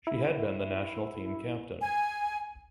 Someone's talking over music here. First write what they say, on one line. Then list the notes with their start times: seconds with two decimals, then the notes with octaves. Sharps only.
She had been the national team captain.
0.07 E4
1.81 G#5